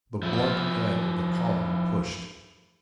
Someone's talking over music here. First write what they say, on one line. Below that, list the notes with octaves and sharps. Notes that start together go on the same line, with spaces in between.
The blunt head of the column pushed.
F3 E4